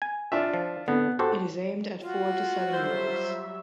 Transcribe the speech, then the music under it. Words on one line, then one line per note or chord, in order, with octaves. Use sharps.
It is aimed at four to seven year olds.
G#5
D4 F4 E5
F3
D3 B3
F#4 G4 A4 C5
F4 F#4
F#3 G3 C5 E5